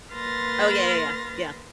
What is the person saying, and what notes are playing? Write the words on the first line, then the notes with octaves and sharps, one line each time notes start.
Oh, yeah, yeah, yeah. Yeah.
A#3 B4 C6 F6 A6 A#6